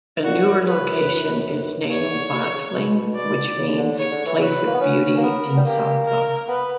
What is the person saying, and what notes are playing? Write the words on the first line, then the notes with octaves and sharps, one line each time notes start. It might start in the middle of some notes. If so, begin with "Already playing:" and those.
A newer location is named Botleng, which means 'place of beauty' in Sotho.
A#2 F#4
F#2
F#2 B4
F#2
G2 C#5
E3
D3
D3
C#3
B2
D5
C#3
C#3
D3
C#3 C#5
D3
E3
F#3 B4
A#3
B3
C#4
A#3
B3 A#4
G3
A#3 G4
A#4
B3 B4